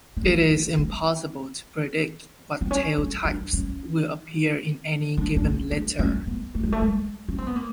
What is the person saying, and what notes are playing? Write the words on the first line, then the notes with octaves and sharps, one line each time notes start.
It is impossible to predict what tail types will appear in any given litter.
C4
C#4
C4
C4
C4
C#4
C#4
D4
C#4
D4
D4
C#4
D4
C#4
B3
A3
G#3
A3
G#3
C#4
C4
B3
A#3